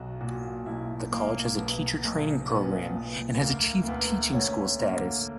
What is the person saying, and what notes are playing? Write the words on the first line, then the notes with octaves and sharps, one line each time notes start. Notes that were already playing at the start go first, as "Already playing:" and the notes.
The College has a teacher training programme and has achieved Teaching School status.
Already playing: B1 F#4
A#2 F#4
B1 E4
B1 A#3
B1 B3
B1
A#2 B3
B1 B3
D2 A#3
A#3
D2 B3
D2 C#4
D3 A#3